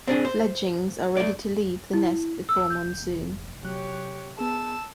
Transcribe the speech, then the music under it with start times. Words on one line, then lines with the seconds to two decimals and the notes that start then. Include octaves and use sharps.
Fledgings are ready to leave the nest before monsoon.
0.07 C4 D4 G#4
0.25 C5
1.17 A3 D5
1.93 E4
2.49 E6
2.70 G6
3.65 C3 F#3 G4 C#5 F#6
4.39 B3 G#4 A5 E6